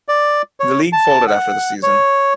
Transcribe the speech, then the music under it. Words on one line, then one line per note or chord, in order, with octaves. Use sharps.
The league folded after the season.
D5
C#5
A5
F#5
C#5